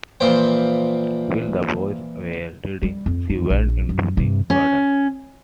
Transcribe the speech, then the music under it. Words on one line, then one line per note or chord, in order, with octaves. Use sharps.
While the boys were reading, she went into the garden.
A#2 E3 F3 C5 G5
G3
F2
D#4
A#1
F#2
G2 C3
C#4